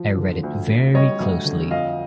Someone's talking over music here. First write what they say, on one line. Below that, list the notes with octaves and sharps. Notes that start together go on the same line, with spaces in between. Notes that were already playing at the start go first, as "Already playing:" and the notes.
I read it very closely.
Already playing: F3
D3
D2
D2
G3 C#5 D#5
D2
D3
F2 D#5 F5